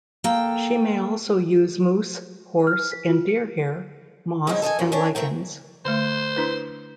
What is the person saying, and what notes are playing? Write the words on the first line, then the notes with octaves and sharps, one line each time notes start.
She may also use moose, horse, and deer hair, moss, and lichens.
A#3 A4 G5
F6
B6
F4
C#7
G#3 C4 C#4 D#4 E4
A4 D#5 G5 G#5
F#2 A#3 C#4
C#4 D4 C#5
A3 C4 A#4 G5
D3 A3 C5
D4 E4 B4